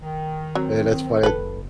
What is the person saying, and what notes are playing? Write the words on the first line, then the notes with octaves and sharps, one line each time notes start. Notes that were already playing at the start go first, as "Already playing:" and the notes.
hey, that's funny
D#3
F#3 C4
F#1 A4 B4